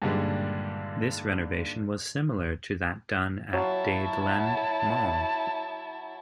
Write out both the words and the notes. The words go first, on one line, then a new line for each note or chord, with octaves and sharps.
This renovation was similar to that done at Dadeland Mall.
G2 A#2 D3 D#3 G3 G#3
F#3 E4 F5 A5